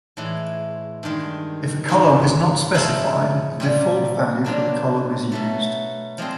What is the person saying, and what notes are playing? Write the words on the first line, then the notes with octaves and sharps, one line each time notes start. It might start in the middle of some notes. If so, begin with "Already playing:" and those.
If a column is not specified, the default value for the column is used.
A2 E3 G#3
G2 D#3 G#3
G#2 D#3 F#3
F3 G#3 C#4 E4 G#4
A#2 G3 A#3
B2 F#3 A#3 D4 F4
B2 F#3 A3
F3 G#3 C4